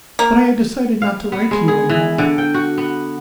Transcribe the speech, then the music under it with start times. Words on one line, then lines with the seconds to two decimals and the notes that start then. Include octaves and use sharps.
But I had decided not to write to you any more.
0.19 A#3
1.02 F5
1.32 B3
1.51 G#3
1.68 G#4
1.90 E3
2.18 D3
2.38 G5
2.54 F#4
2.78 B3